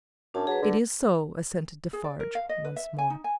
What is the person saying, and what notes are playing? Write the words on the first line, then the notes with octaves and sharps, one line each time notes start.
"It is so," assented Defarge once more.
F#2 D4 A5
F#3 G#4 B4
D3
G#4
D5
A#4
F5
D#5
B4
E5
G#5
D#4
G#5